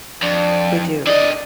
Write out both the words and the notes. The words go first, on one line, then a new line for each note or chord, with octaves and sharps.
we do,
F2 D4
D3 D5 D#5